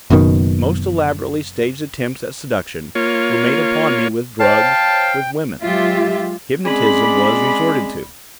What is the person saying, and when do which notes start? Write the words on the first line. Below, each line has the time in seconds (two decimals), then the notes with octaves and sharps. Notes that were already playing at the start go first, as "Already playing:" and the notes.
Most elaborately staged attempts at seduction were made upon me with drugs, with women. Hypnotism was resorted to.
0.10 F#1 F#2 B2 D#3
2.95 A#3 F4 C#5
4.40 C5 C#5 F5 G5 A5
5.63 F#3 G#3 F4 G4 E5
6.65 G#3 C4 C#4 G#4 D5 B5